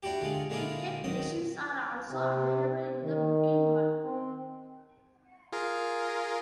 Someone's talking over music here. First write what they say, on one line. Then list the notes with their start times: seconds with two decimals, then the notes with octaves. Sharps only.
Ticket machines are also available in the booking hall.
0.03 D4 E4 F#4 G4
0.21 D3 G#3 F4
0.50 D3 G#3 A#3 D4 E4 F4
1.04 D#3 F#3 D#6
2.10 C3
3.04 D#3
4.04 C4
5.52 F4 G#4 A#4